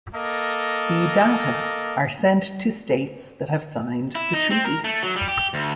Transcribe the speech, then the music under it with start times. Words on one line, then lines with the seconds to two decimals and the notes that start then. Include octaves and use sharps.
The data are sent to states that have signed the Treaty.
0.14 A#3 A4 D#5
4.15 E4
4.33 D#4
4.50 C4
4.65 A#4
4.84 A3
5.03 F#3
5.16 G3
5.28 G4
5.54 D2